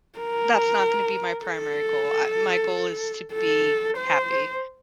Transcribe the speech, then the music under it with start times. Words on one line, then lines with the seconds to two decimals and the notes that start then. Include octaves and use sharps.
that's not gonna be my primary goal. I my goal is to be happy,
0.19 A#4
1.45 A4
3.34 A4
3.97 C5